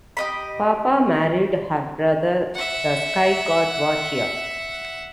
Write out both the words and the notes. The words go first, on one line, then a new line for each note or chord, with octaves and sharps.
Papa married her brother, the sky god Vatea.
G4 D#5 B5
E5 F#5